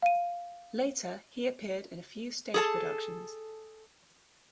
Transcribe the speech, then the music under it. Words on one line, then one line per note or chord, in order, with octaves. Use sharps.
Later he appeared in a few stage productions.
F5 D#7
G#4 A4 A5